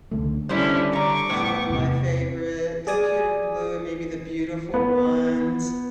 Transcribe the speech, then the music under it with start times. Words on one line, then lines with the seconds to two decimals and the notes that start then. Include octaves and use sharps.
was one of my favorite. Computer Blue, maybe The Beautiful Ones,
0.11 C#2 D3 A3
0.49 D3 G3 C#4 E4 C5
0.93 D3 A#5 C#6 D6
1.30 A2 B3
1.70 E2 C3 C4
2.87 G#4 D5 G#5 D#6
4.74 B3